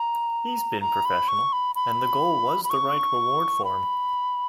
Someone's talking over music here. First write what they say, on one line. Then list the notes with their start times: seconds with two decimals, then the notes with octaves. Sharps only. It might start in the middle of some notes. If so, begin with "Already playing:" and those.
He's been professional and the goal was the right reward for him.
Already playing: A#5
0.81 A#5
1.05 B5
1.28 C#6
1.53 B5
1.76 B5
2.64 B5
2.70 C#6
3.65 B5